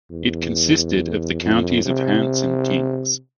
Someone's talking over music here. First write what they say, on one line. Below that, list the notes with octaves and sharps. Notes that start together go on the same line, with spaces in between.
It consisted of the Counties of Hants and Kings.
E2
F2
C3